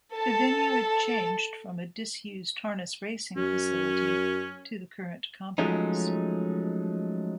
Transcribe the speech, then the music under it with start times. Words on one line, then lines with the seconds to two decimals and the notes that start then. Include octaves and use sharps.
The venue had changed from a disused Harness Racing facility to the current complex.
0.13 A4 A5
3.36 F#2 C#4
5.58 F3 F#3 G#3 A3 C#4 D#4